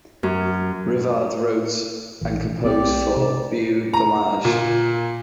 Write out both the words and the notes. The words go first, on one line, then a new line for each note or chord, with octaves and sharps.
Rivard wrote and composed for Beau Dommage.
F#2
A#1 A#2 E3
B1 B3 C4 G4 D5
C3
A#5
A#2